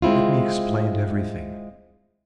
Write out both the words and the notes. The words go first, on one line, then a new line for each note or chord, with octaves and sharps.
Let me explain everything.
G#3 C4 E4 F4